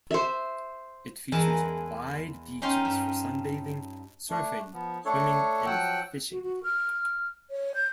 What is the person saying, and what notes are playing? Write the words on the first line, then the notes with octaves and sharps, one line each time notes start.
It features wide beaches for sunbathing, surfing, swimming, and fishing.
C5 E5
E2 E3 G#3 E4 A#4 A5
C#4 D#4 F4 F5 G5 C6
G2
A3 D4
F3 B3
A3 D4 A4 C#5
F3 F#3 F#5 G5 E6 F#6
F#4
F#4
F6
C#5
G6